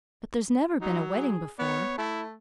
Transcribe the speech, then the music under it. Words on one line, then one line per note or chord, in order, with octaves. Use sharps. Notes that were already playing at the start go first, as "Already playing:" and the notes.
But there's never been a wedding before.
F#3 D#4
G#4
B3 C#5
A3 E4